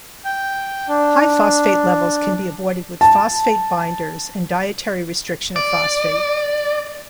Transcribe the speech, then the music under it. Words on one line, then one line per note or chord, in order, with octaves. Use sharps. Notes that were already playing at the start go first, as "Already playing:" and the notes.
High phosphate levels can be avoided with phosphate binders and dietary restriction of phosphate.
G5
D4
A5
D5